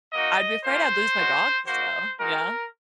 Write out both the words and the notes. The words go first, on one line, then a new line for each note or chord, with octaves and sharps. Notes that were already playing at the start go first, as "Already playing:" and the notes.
I'd be afraid I'd lose my dog, so, you know.
A#3 D#4 F#4 D#5
A#3 C#4 F4 C5
G#3 C#4 F#4
A#3 D#4 F#4 C5
G#3 D#4 F#4 A#4